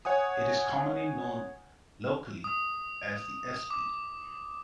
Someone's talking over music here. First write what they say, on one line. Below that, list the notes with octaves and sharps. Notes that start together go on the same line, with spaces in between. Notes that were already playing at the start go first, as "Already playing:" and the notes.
It is commonly known locally as "The Espy".
C#5 F#5 G#5 D#6
D#6
D6